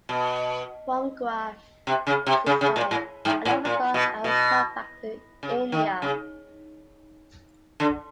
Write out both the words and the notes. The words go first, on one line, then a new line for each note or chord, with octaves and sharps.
From Goa, she said: I never thought I would come back to India.
B2
C3
C#3
C3
C#3
C#3
A#2
A2
G#2
A2
A#2
B2
B2
C#3
D#3
C#3
D3